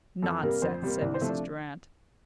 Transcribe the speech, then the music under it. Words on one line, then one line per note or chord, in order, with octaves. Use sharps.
"Nonsense," said Mrs. Durrant.
F2 A4
C3 G3 A#3 A#4
F2 C5
C3 G3 A#3
C2 D5
C5
C3 F3 A3
D4